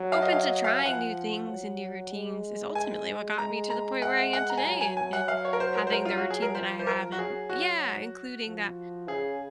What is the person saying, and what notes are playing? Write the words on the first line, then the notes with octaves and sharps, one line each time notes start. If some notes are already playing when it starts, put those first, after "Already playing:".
open to trying new things and new routines is ultimately what got me to the point where I am today and and having the routine that I have and Yeah, including that
Already playing: F#3
F5
D#5
F5
D#5
F5
G#5
F3 F#5
F#3
G#3
G#5
G#3 A#5
A#5
F#5
F#5
F#5
A#5
G#5
F#3 A#5
G#5
G#5
F#5
F5
C#5
A#4
C5
A#4
C5
A#4
F4
F#4
G#4
A#4
F3 C5
C5
F3 A#4
F#4
F#3 G#4
F#4
F3
C#3 G#4